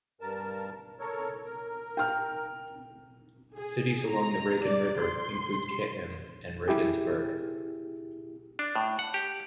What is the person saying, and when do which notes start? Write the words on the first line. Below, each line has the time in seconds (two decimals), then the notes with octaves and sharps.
Cities along the Regen river include Cham and Regensburg.
0.21 G2 A#4 A5
1.00 A4 A#4 C#5
1.44 A#4
1.97 G5 F6
3.55 G#4
4.07 A#5
4.63 D5
5.00 C6
6.68 E4 G4 G#4
8.59 D4
8.75 A2
8.99 F#5
9.14 G4